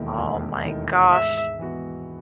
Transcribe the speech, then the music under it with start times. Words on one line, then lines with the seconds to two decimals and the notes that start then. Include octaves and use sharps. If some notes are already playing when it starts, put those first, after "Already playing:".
Oh my gosh.
Already playing: E1 D#2 D#3 A3 E4
0.18 E1
0.65 D#2 D#3 A3 E4
1.12 G#2 E5
1.59 E3 B3 F#4